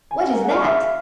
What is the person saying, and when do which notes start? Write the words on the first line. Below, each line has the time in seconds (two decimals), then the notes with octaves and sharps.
"What is that?"
0.11 G#5
0.30 A#4
0.42 G#4 F#5
0.50 F5
0.57 G#4
0.65 E5 F5